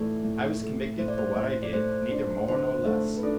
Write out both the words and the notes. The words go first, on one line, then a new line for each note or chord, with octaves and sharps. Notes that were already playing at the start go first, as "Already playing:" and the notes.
I was convicted for what I did, neither more nor less.
Already playing: A2 E3 A3 D5
A2
A3
A2 C5
D5
C5
A2
D5
A3 C5
D4 C5
D3 C5
A3
B4
D4 A4